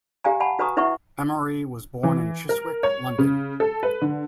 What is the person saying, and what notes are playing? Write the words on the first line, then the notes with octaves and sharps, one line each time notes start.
Emery was born in Chiswick, London.
G4 F5 G#5 A#5
F#5 G#5 A5 B5
F#4 B4 G#5 A#5 C#6 D#6
E4 B4 E5 F#5 C#6
E3
A#4
C#5
C#3
A4
B4
D3